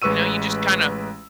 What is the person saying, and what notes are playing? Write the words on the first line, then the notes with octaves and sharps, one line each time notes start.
you know, you just kinda
A1 G#3 B4 C#6 E6 D#7